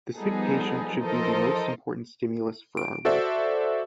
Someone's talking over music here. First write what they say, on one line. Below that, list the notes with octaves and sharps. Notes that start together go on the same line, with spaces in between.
The sick patient should be the most important stimulus for our work.
F3 G3 B3 D#4 G#4 A4
E3 F3 A4 A#4 C5 D#5
D7
F#4 A4 C5 D5 E5